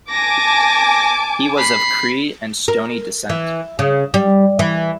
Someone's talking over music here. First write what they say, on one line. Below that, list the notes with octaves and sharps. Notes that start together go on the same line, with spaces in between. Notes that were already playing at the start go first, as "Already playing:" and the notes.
He was of Cree and Stoney descent.
G#5 A5 D6 A#6
B5 C7
A#4
E3
C#3
G3
E3